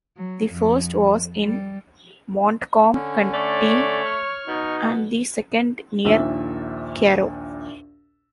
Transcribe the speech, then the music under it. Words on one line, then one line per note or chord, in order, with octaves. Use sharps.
The first was in Montcalm County and the second near Caro.
F#3
F2
G3
D3 C#4
A3 C#5 D5
C#6 F6
B2 D#4
A#1 D#2 A#2 E5 E6